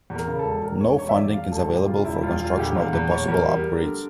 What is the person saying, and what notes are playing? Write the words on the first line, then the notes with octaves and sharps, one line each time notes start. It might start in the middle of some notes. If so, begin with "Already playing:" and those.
No funding is available for construction of the possible upgrades.
E2
A#4
C#3
A4
E1
E1 A#4
E1 C#5
E1 C#5
E5
E2 D5
E1 F5
E1 A4
D2 G4
C#3 F4
E1 E4
E4
E1 F4
E1 F4
D2 G4
E2 F5
E2
E2 C#5
C#5
E2 A#4
G3
G3
D3